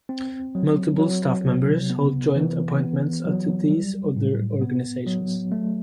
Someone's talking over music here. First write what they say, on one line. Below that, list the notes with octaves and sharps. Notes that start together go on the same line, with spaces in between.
Multiple staff members hold joint appointments at these other organisations.
C4
F#3
F#3
C3
B3
E3
B3
F#3
G3
A2
B3
F#3
A3